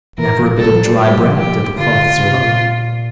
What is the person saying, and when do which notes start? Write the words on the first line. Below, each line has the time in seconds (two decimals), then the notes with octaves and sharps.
But never a bit of dry bread did the cloth serve up.
0.18 E3 A#4
0.38 F3
0.58 G3 A4
0.71 F3
0.84 G3
0.98 G3 G4
1.18 F3
1.38 G4
1.79 D3 F4
2.18 C#3
2.38 A#2